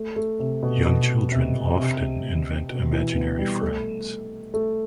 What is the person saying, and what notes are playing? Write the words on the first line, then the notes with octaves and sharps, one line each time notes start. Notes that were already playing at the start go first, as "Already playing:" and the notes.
Young children often invent imaginary friends.
Already playing: A3
A3
C3
B2
B2
C3
C3
B2
E3
B3
G3
A3
A3